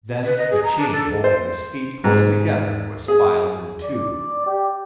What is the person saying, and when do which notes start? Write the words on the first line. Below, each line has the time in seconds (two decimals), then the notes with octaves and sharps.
Then the chain holding his feet close together was filed in two.
0.24 B4
0.38 D#5
0.51 G#4
0.63 A#5
0.78 D4
0.92 A4
1.24 C5
2.04 G#2
3.08 G#4
3.83 D5
4.46 G4